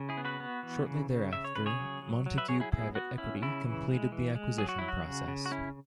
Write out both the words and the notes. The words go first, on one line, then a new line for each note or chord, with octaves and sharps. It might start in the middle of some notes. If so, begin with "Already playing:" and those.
Shortly thereafter, Montague Private Equity completed the acquisition process.
Already playing: C#3
E4 G#4
B3
F#4 B4
B3
E3
C#3
C#3
C#3 E5
C#5
C#3 B4
G#4 C#5
F#3
F#3
F#3
B4 E5
F#3 G#4 C#5
E4 G#4
B3 E4 G#4
B3 F#4
C#4 E4
C#3 E4
E3
G#3
E3
G#3
F#3 G#4
F#4
F#3 E4
F#4
C#3
C#3
F#4
C#4 E4